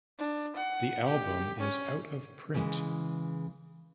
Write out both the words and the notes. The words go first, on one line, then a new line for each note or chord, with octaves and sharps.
The album is out of print.
D4
F#5
G4
C#4
C#3 E3 G#3